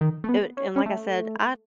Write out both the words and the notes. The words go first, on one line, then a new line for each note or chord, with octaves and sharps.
It w and like I said, I
D#3
A3
B3
C#4
C#4
A3